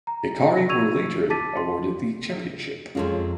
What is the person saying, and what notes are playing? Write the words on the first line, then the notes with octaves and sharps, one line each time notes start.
Hekari were later awarded the championship.
A#5
C#6 E6 G#6 D#7 F7
A5 D6 A6 B6 D#7
C6
F2 F#3 G#3 C#4 F4 A4